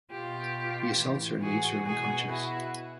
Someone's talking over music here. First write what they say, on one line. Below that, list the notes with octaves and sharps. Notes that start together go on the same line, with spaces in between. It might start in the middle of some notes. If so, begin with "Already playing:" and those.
He assaults her and leaves her unconscious.
B2 F4 G4
A2 E3
F#4 G#4
B2 F#4 G#4
E4 F#4